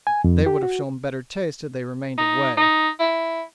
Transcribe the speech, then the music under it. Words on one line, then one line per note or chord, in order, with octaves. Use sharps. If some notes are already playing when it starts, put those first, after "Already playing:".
"They would have shown better taste had they remained away."
G#5
F2
G4
F#4
D#4
D#4
E4